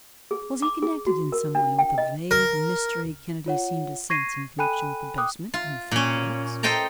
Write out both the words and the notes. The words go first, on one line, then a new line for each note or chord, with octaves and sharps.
Was he connected in some way with the vague mystery Kennedy seemed to sense in connection with the basement and the film vaults?
G#4
D6
G#4
F#4
A#4
D4
G5
D#5
A#4
F4 C#5 F#5
C#6 G#6 A#6 C7 D#7
A4 G5 G#5 B5 F#6 D#7
G5 D6 D#6 F#6
F4
A#2 C#4
A4 C5 D#5 G5 A5 A#5